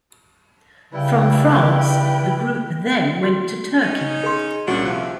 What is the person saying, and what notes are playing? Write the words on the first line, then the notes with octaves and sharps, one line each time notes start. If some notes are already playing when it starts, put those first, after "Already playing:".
From France, the group then went to Turkey.
C#3 G3 E4 B4 G5
F#4
C#4 D#4
G#4 C6
C2 A#2 C#4 D4 F#4
D#2 C3 F3 F#6